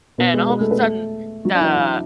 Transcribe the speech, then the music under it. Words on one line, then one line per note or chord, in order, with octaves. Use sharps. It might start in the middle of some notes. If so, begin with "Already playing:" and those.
And all of a sudden, the
B2 B3
G#3 G#4
B3 B4
A3 A4
B3 B4
A3 A4
F#3 F#4
D4
E3 E4
E3 E4